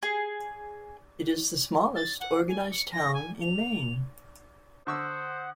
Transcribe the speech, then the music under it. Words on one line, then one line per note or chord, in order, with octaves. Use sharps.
It is the smallest organized town in Maine.
G#4
A6
F#5
G#5
C#7
A#6
G#5
F7
D3 C5 F#5 C#6 D#6 E6